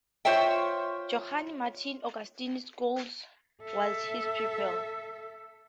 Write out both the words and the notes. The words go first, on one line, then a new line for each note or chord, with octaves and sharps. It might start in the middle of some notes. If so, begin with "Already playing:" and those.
Johann Martin Augustin Scholz was his pupil.
F4 C5 C#5 E5 G5
A4 E5